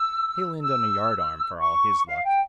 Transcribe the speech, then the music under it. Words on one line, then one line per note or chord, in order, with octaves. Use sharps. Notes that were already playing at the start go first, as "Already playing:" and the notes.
He'll end on a yardarm for all his luck.
Already playing: E6
E6
C#6
F5
G5